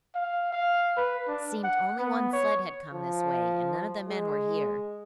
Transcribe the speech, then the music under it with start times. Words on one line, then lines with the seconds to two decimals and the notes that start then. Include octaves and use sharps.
It seemed only one sled had come this way and none of the men were here.
0.15 F5
0.52 F5
0.96 B4
1.27 D4
1.64 F#5
1.98 B3
2.32 C#5
2.93 F3
4.08 G#3